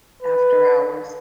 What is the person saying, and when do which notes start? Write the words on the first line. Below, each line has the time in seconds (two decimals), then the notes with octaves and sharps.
after hours.
0.22 B4